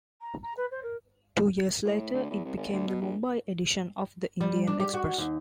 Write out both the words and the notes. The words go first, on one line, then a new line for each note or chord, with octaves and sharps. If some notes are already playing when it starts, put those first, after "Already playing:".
Two years later it became the Mumbai edition of "The Indian Express".
A#5
A#5
B4
C5
A#4
A2
D2
E2
C2
G#1
D2
B2
A#1
G3
D4
G4
F#4
D#2